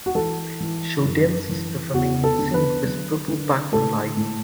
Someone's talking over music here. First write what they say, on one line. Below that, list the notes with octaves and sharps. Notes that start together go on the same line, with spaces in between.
Show dancers performing in sync with purple background lights.
F#4
E3 A4
E3
F#2
E3
E2 F#4
A4
D3
B4
F#3
D3
A2 A4
A2